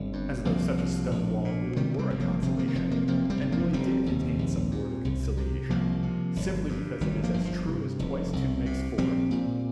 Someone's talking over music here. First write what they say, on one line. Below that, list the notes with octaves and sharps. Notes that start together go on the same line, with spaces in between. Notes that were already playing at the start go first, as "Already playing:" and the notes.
As though such a stone wall really were a consolation, and really did contain some word of conciliation, simply because it is as true as twice two makes four.
Already playing: G1 G3 C4
G2
C2 F3 A#3
C3
A#1
A#2
C3 D#3 G3
G3 C4
G1
F3 A#3
C3 F3
F3 A#3
D#3
F1 F3
F3 A#3
C3 F3 A#3
G3 C4
G1
F3 A#3
F1 G3 C4
D#2
A#1
A#2
C2
C3
C2 F3 A#3
C3
G1
G2
G1 D#3 G3
F3 A#3
G2
F3
C3
F1
C2
C3
A#1 G3 C4
A#2